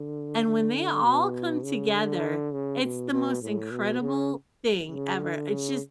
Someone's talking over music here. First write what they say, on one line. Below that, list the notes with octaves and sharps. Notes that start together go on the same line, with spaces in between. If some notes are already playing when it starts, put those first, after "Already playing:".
and when they all come together, it's the most incredible thing ever. It's just
Already playing: D3
D3
B2
C#3
D3
C#3
B2
B2
A2
B2
C#3
C#3
D3
C#3